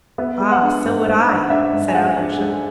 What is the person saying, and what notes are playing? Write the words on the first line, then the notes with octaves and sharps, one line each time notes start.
"Ah, so would I," said Alyosha.
B3 E5
G#3
F#5
D4
G#2
G#2
D4
D4 E5
G#2
G#5
G#3 F#5
D4
G#3